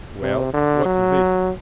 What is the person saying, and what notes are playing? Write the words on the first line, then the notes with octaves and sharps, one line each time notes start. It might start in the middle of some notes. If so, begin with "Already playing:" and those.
"Well, what is it?"
C3
D3
F#3